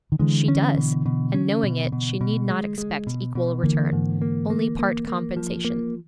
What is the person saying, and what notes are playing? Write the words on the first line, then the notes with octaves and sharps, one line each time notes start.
'She does; and knowing it, she need not expect equal return--only part compensation.
D#3
D3 E3 G#3
C#4
B2
B2
C#4
B2
B2
B2
G#3
G#3
B2
B2
D3 E3 A#3
G#2
A#3
A#3
A#3
A#3
F3
A#3